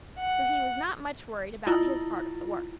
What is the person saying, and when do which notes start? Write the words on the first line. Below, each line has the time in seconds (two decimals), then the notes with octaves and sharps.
So he was not much worried about his part of the work.
0.19 F#5
1.67 E4 F4